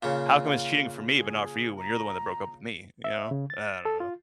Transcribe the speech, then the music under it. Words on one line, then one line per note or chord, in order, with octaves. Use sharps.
How come it's cheating for me, but not for you when you're the one that broke up with me, you know? I don't know.
A#2 C#3 F5
G#4
A#5
E5
C#3
A6
A4
F4